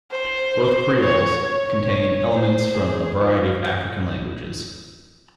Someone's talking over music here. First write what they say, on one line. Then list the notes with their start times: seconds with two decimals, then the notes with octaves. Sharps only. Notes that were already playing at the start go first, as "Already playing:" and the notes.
Both creoles contain elements from a variety of African languages.
0.11 C5
0.99 C#5
1.44 C#5
2.32 C5
2.75 G#4
3.19 F4